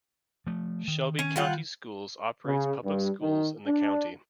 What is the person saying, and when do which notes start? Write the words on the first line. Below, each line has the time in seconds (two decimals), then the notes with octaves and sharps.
Shelby County Schools operates public schools in the county.
0.47 F3 A3
0.88 D#3
1.19 C#4
1.36 G3 F4 F#5
2.46 C#3
2.85 G2
3.21 D#3
3.67 D4